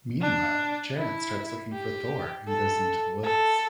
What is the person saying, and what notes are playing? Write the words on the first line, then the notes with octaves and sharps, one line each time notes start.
Meanwhile, Janet starts looking for Thor and goes into the woods.
D4
E4
G4
A4
A4